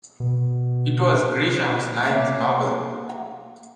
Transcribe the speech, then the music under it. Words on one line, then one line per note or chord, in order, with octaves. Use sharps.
It was Grisham's ninth novel.
B2
A#3 C#5 E5 F5